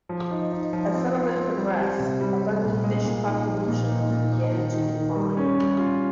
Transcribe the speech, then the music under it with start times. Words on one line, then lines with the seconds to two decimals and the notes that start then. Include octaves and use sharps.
As settlement progressed, abundant fish populations began to decline.
0.09 F3
0.30 D#4
0.52 D#4
0.73 F3
0.94 C4
1.15 F4
1.36 C4
1.57 G3
1.78 G3
1.99 C3
2.21 G3
2.42 G3
2.63 A#2
2.84 G#3
3.05 A#2
3.26 D#4
3.47 F3
3.68 A#2
3.89 D#4
4.10 A#2
4.31 D#4
4.52 D#3
4.74 D#3
4.95 D#3
5.16 G3
5.37 C#4
5.58 G3
5.79 F4